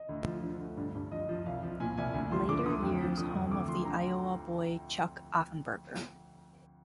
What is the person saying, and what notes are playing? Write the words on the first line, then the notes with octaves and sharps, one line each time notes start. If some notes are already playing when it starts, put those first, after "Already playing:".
Later years home of the "Iowa Boy" Chuck Offenburger.
Already playing: D#5
D2
F3
D3
D2
G2
G2
F3 D#5
F3
C2 F5
F3
A#2 G#5
C2 G#5
D2
F3 C6
D3 D6
D2 D#6
F2
F3
D3 D#6
F2
D2 D6
F3 C6
D3 A#5